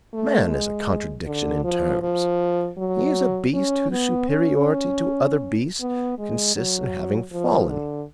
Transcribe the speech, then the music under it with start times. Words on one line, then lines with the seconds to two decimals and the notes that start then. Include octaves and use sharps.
Man is a contradiction in terms; he is a beast whose superiority to other beasts consists in having fallen.
0.13 A3
0.50 G#3
1.26 D3
1.64 F3
2.02 F3
2.78 F#3
3.53 C#4
3.91 B3
4.29 C#4
5.81 B3
6.18 G#3
6.56 F#3
7.32 F3
7.69 D3